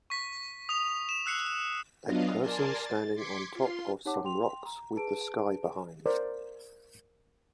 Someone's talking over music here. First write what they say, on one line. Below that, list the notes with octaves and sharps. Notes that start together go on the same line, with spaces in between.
A person standing on top of some rocks with the sky behind.
C#6 B6
D#6 F7
E7
E6 F#6 C7 C#7
F#3 B3 D4 F4 D#5 F5
A#4 D5 G#5 A5 C6
A6
C6 D6 G#6 B6 C#7
F4 C6
D#4 G4 C#5 F#5 A5 D6
G5 C6 F7
A#5
G#4 B4 A5 D7
A#4 C5 D5